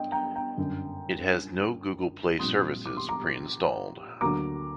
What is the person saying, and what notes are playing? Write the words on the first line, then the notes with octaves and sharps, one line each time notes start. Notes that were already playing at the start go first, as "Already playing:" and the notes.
It has no Google Play Services preinstalled.
Already playing: G2 D#5 G5
G5 A#5
G5 A#5
G1 F#2 D3
A#1 A#2 G3 C4 C6 D#6
D6
C6
A#5 D6
D2 D3 F#3 A#3 A#5 D6